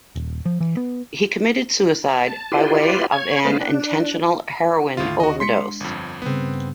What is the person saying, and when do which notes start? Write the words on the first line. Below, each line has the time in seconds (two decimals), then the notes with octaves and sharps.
He committed suicide by way of an intentional heroin overdose.
0.15 D#1
0.46 F3
0.61 E3
0.77 B3
2.28 A5
2.52 E4 F4 G4 B4 D5 C6
3.12 C#5 G#6
3.45 G#3 A3 B3 B4 C5 F5
3.61 D4
4.97 D#2 A2 D3 F4
5.20 F#4 D#5
5.40 G#3 D4 C6 B6 C#7
5.80 G1 F2
6.22 G2 C#3 B3 C4